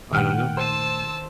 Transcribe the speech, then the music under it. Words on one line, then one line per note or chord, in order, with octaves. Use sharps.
I don't know.
A#2 D#3 A3 F#5 G5 F6
C5 A5 E6 D#7